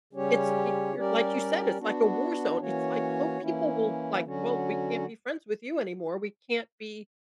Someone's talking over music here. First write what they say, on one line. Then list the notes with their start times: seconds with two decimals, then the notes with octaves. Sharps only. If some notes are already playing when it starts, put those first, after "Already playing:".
it's eh you're like you said, it's like a war zone. It's like oh, people will, like, "Well, we can't be friends with you anymore, we can't be"
0.13 C#3 G3 C#4 G4 C#5
0.95 G3 C#4 G4 A#4 D5
1.78 B3 D4 F#4
2.59 E3 A#3 C#4 F#4 C#5
3.41 E3 A#3 C#4 E4
4.23 D3 F#3 C#4 F#4